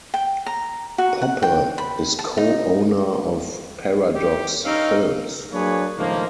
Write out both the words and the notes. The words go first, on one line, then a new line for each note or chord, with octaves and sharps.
Poppe is co-owner of Paradox Films.
G5
A#5
F#4
F#5
G5
B5
A5
D#4
G4
G2 C4 C#4 D#4 F5
F#3 A#3 D4 G#4 B4 C#5
C#2 A2 D#3 F3 A#3